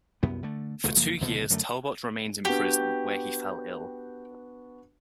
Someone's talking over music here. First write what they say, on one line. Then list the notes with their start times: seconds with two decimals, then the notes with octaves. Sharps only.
For two years Talbot remained in prison, where he fell ill.
0.23 C2 F#2 B3
0.43 D3 A3
0.84 D#1 C#2 A3
0.97 F#1 F3 A#3
1.21 C#2 B2 D3 F3
1.50 F#2 D3 A3
2.45 B3 D4 F#4 G4